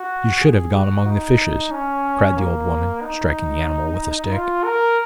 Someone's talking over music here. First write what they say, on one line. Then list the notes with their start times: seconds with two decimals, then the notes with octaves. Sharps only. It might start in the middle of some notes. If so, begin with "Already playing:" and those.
'You should have gone among the fishes,' cried the old woman, striking the animal with a stick.
Already playing: F#4
0.41 G#4
0.73 F#4
1.06 D#4
1.71 C#4
2.36 A#3
3.02 D#4
4.32 F4
4.64 A#4